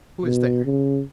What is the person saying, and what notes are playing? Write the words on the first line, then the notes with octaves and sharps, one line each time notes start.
"Who is there?"
B2
C#3